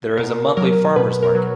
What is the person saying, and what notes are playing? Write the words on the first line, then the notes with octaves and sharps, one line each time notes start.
There is a monthly Farmers' Market.
B2 A#4
F#3 A#4
B2 B4
A#4
F#3